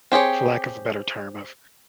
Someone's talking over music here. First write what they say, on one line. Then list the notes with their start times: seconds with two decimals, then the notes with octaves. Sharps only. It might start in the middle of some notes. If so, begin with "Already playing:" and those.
for lack of a better term, I've
0.12 C4 G4 G#4 C#5